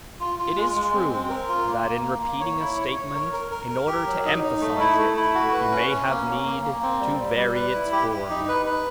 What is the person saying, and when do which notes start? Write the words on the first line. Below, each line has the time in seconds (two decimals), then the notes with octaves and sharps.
It is true that in repeating a statement in order to emphasize it he may have need to vary its form.
0.20 F4
0.39 F4
0.57 G#3
0.75 G#3
0.94 C4
1.12 C4
1.30 A#4
1.49 F4
1.67 A#3
1.86 A#3
2.04 A#3
2.23 A#3
2.40 C#5
2.59 E4
2.77 C#5
2.96 C#5
3.15 A#4
3.33 A#4
3.51 A#4
3.70 A#4
3.87 G4
4.07 F#3
4.25 D#4
4.43 D#4
4.61 A3
4.80 E4
4.98 A3
5.17 E4
5.34 F#4
5.53 B4
5.71 C#4
5.91 C#4
6.09 A#3
6.27 A#3
6.45 A#3
6.64 A#3
6.82 C4
7.00 G3
7.19 G3
7.37 G3
7.55 B4
7.74 E4
7.92 G4
8.11 G4
8.30 D#4
8.48 B4
8.66 B4